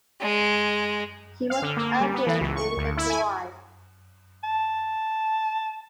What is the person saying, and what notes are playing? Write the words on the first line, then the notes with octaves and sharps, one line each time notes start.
He was an atheist in later life.
G#3
F5
D3
A#3
G3
B3
E3
C#2
C#6
D2
E4
G#5
A5